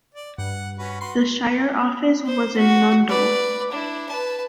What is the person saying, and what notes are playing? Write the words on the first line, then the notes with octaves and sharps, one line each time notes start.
The shire office was in Nundle.
D5
G2 F#5
C#4 F#4 B4
F#4 B4 C6 C7
C5
F#4
B4 D5
D4 E4
B4 A5